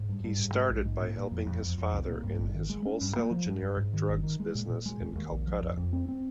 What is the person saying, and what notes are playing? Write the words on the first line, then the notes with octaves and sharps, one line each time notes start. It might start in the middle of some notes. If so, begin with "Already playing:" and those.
He started by helping his father in his wholesale generic drugs business in Kolkata.
Already playing: G#2
G2
G2
G#2
G#3
A#1
G#2
A#2
A#2
F2
F2
F2
F2
C2
A#2
G2
G#1
D#3
G#3
C#4
G2
A#3
F3
G2
G2
G#2
D#3
G1
D#3
G#3
A#2
A#2
G#3
D#2
D#2
A#1
F3
F2
F2
C4
C4